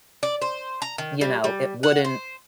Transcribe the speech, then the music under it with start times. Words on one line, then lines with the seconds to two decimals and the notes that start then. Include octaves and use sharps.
You know, it wouldn't
0.23 D5
0.42 C5
0.82 A#5
0.98 D#3
1.21 G3
1.44 G3
1.83 F#5
2.05 C5